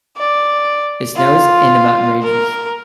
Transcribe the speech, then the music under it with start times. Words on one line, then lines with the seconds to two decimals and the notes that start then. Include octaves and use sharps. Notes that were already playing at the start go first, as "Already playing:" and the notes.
It snows in the mountain ranges.
0.17 D5
1.16 F4
2.23 A#4